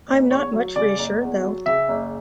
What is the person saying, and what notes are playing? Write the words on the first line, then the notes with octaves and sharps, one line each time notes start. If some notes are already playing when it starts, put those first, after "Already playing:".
I'm not much reassured though.
F#1
E2 C#5
F#3
C#3 D5
F#1
E2
F#3
C#3 E5
F#1